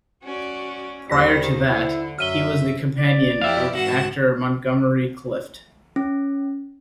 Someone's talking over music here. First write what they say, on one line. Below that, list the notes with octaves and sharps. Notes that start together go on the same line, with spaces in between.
Prior to that, he was the companion of actor Montgomery Clift.
C#4 F#4 D5
D#2 D#3 G3 C5 C6 A#6 B6
D3 E4
F#2 F#3 E5 F6 D#7 G7
D5
F2 E4 G4 E5 F5 G5
G#2 F#4 F#5 E7
C#4